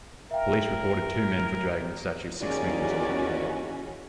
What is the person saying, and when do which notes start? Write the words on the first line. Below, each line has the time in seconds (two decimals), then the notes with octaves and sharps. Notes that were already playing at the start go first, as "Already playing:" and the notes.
Police reported two men for dragging the statue six metres along the mall.
0.31 A#4 E5 F5 G5
2.40 D#2 E3 C#4 F#4 G#4 D5